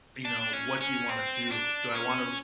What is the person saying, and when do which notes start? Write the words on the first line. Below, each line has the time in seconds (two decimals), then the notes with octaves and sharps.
you know, what do you wanna do? Do I wanna
0.25 D4
0.53 C#4
0.81 C#4
1.09 C4
1.51 D4
1.95 C#4